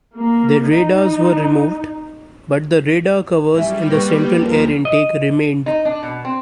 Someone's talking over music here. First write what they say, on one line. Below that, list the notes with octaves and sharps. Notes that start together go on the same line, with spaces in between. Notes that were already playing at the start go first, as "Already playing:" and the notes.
Their radars were removed, but the radar covers in the central air intake remained.
A#3
D#4
F#3 G3 C#4 E4
A#3 B3 C#5
D#2 F3 A#4
D#5
D#4
D4
B2
C4